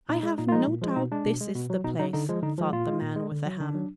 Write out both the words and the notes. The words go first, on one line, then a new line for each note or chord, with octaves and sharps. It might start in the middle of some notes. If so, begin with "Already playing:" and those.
"I have no doubt this is the place," thought the man with the ham.
A#2 D#4
G#3
A#2 D#4
F4
F3 G#3 D#4
A#2
F3 G#3
B2 D#4
G#3 D4
B2
G#3
B2
F#3
B2 D#4
F#3 D#4
D3 D#4
F3 G#3
D3 D#4
F3 G#3
A#2 F4
G#3
A#2
G#3
D3
F#3
D3 D4
F#3